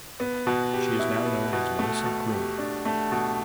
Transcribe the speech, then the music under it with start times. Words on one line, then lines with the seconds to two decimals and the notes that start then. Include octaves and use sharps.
She is now known as Marissa Kroon.
0.20 B3
0.47 B2
0.74 G4
0.99 E4
1.26 B3
1.53 B2
1.79 A3
2.06 B2
2.32 G4
2.58 D4
2.85 A3
3.12 B2